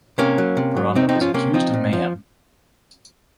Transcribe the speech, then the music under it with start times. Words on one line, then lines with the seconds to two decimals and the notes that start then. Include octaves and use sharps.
Boronda was accused of mayhem.
0.18 C3 A#3 C#4
0.38 F#3
0.57 C3
0.77 F#3
0.95 C3 C4 D#4
1.09 C4 D#4
1.15 F3
1.21 C#4 F4
1.34 C3 A#3 C#4
1.54 F3 C4 D#4
1.74 A#2
1.93 F3